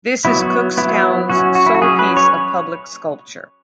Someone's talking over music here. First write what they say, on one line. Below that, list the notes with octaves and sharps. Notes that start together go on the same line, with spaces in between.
This is Cookstown's sole piece of public sculpture.
F#3 B3 E4
F#4
F#3 B3 E4
F#3 C#4 F#4
F#4
E4
F#4
F#3 C#4 G#4
B4
C#5